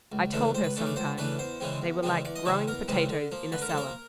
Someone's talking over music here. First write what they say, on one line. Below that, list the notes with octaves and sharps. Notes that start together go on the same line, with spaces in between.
I told her sometimes they were like growing potatoes in a cellar.
C#2
C#3 E3 A3 D4
C#2 C5
B4
C#3 E3 A3 D4
D5
C#2 C5
C#3 E3 A3 D4 B4
E2 C5
C#3 E3 G#3 C4
E2
C#3 E3 G#3 C4
E2 D5
D#5
C#3 E3 G#3 C4 D5
E2 A#4
C#3 E3 G#3 C4
D3
F3 A#3
D3 B4
A#4
A4
F3 A#3 A#4